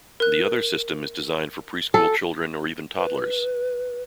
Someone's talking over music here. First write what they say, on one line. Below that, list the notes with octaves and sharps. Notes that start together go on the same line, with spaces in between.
The other system is designed for preschool children or even toddlers.
A#4 F#6
A4
B4